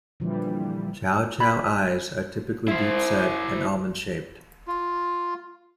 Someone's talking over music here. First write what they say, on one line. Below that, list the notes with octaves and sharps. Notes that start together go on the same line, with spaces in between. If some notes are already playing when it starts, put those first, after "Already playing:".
Chow Chow eyes are typically deep set and almond shaped.
A#2 D3 E3 F3 G3
B5
E4 C5
F4